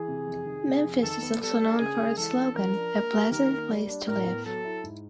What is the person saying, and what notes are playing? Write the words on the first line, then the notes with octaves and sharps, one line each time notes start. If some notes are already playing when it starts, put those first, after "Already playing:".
Memphis is also known for its slogan, A Pleasant Place To Live.
Already playing: E3 G#4
C3
F2
D#3
C3
F2
D#3 A4
B3
G3 A4
D4
C#3 G#4
G#3
E3 A4
C#4
F3 A#4
D4
A#3
G4
D#3 A#4
A#3
G3
D4
A2 A#4
B3
F#3 A4
E4
G#2